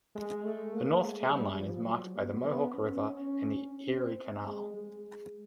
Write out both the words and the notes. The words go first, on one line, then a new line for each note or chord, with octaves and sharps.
The north town line is marked by the Mohawk River and the Erie Canal.
G#3
A3
A#3
G#3
G3
F3
F#3
B3
B3
C#4
C#4
C#4
C4
G#3
G#3